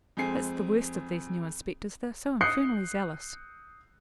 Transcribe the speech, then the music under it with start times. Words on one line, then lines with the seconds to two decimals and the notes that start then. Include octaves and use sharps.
That's the worst of these new inspectors, they are so infernally zealous.'
0.17 F2 G#3 C4 G#5 C7
2.41 D#6 F#6 G6 C7 C#7